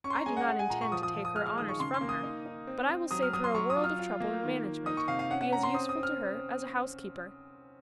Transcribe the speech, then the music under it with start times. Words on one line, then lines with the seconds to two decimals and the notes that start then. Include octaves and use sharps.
I do not intend to take her honors from her; but I will save her a world of trouble in management--be as useful to her as a housekeeper.
0.04 C#4 C#6
0.10 C6
0.15 A#5
0.26 G#3 G#5
0.37 F#5
0.48 G#3 F#5
0.59 G#5
0.70 A#2 A#5
0.81 C#6
0.92 F3 D#6
1.03 D#6
1.15 F3
1.25 D#6
1.36 G#3 F6
1.46 F6
1.58 D#3 D#6
1.69 C#6
1.80 C#3 C6
1.94 C6
2.01 A#3
2.09 D#6
2.24 D#4
2.46 D#4
2.67 C4
2.89 C4
3.11 F#3 D#6
3.23 F6
3.33 F#3 D#6
3.44 C6
3.55 F#3 C#6
3.70 D#6
3.77 F4
3.84 F6
3.99 F4
4.20 A#3
4.43 D#3
4.64 A#3
4.86 D#4 D#6
4.97 C#6
5.08 C3 F5
5.19 F5
5.30 C#4 F#5
5.41 F#5
5.52 C#4 A#5
5.63 C6
5.74 C4 D#6
5.89 D#6
5.96 C4
6.03 F6